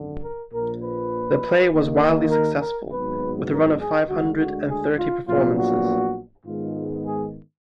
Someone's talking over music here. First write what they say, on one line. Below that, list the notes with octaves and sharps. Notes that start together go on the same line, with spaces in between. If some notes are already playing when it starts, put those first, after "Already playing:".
The play was wildly successful, with a run of five hundred and thirty performances.
Already playing: G#1 F#2 D3
A#4
A#1 A#2 F3 A#4
B4
D#2 D#3 A#3
A#4
A#4
G#1 G#2 F#3 B3 B4
A#4
G#4
D2 D3 G#3 F#4
F#4
G#4
F4
A#1 A#2 F#3 B3 F4
F#4
G#2 D#3 G#3 B3 F4
G#4